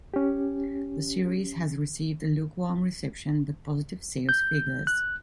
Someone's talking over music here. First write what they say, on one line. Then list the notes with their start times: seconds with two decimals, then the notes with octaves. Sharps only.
The series has received a lukewarm reception, but positive sales figures.
0.14 C#4 G4
4.29 G6
4.87 F#6